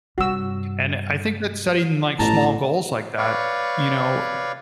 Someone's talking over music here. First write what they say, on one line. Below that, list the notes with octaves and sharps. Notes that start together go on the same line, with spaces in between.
and it I think that setting, like, small goals like that, you know,
G2 C3 F#4 E6
A1 A2 B3 A5 A#5
B4 C#5 D5 F5 C#6